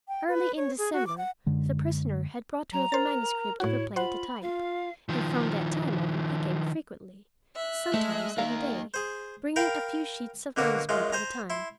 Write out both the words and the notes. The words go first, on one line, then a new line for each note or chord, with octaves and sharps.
Early in December the prisoner had brought her the manuscript of a play to type, and from that time on he came frequently, sometimes every day, bringing a few sheets of manuscript at a time.
G5
B4
C#5
G#4
F#4
D6
F#5
F#2 D3 G#3
F#3 A#5
A#4 C5 A6
A2 E4 F#4 C#5
F4 C5 F#5 B5
F4 F5
D#3 F3
E5 F#6
G#3 A3
A#3 D#4 A#4 F5
G#4 C5
A#4 F5 G5 B5
B2 D3 A#3 F#4
F#2 G#3 F4
C5 G#5 A#5
E4 C6